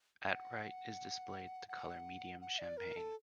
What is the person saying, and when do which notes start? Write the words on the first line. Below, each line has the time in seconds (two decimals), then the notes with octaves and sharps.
At right is displayed the color medium champagne.
0.23 F#5
1.68 F#5
2.41 F#5
2.59 D5
2.77 A#4
2.96 A4